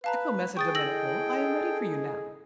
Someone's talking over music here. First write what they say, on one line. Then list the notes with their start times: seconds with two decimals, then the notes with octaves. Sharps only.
Ecco, Messer Domenico, I am ready for you now.
0.04 B4 F5 A5 A#5
0.57 G#4 G5 C#6 D#6 A6
0.75 E4 A4 D#5 E6 A#6 F#7